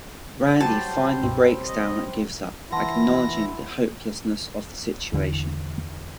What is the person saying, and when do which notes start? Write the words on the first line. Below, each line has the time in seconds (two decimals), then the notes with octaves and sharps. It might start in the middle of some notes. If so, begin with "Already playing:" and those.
Randy finally breaks down and gives up, acknowledging the hopelessness of the situation.
0.61 F#3 G3 F#4 C5 A5 G#6 D#7
1.23 C#2 G2 B2 C4
1.68 D#5
2.72 E3 E4 F#5 A5 C6 A#6
5.13 E2 D3 E3